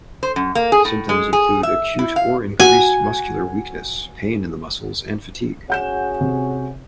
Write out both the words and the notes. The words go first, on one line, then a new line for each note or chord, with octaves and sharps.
Symptoms include acute or increased muscular weakness, pain in the muscles, and fatigue.
C5
F#2
A#3
G#4
A2
G#3
G#4
E5
E4
F5
F#4 G#5
C#4 F#4 G#4 F#5 G6 E7
C3